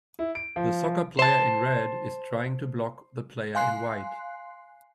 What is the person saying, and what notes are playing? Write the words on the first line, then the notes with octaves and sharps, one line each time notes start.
The soccer player in red is trying to block the player in white.
E4
D7
F3
C5 A5
F5 G#5 C6 F#6 C7